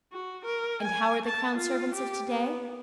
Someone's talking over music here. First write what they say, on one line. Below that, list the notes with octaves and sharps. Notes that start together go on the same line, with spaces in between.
And how are the crown servants of to-day?
F#4
A#4
G#5
A5
F4
G4
B3